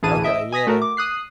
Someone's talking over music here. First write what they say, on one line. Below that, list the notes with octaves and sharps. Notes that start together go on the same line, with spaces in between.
Okay, yeah.
A1 D2 E3 G#4 A5 D#7
D#5 E5 D7
G#5 D#6 A#6 B6
A3 F#4 A#4
D6
D#6 F#6 C7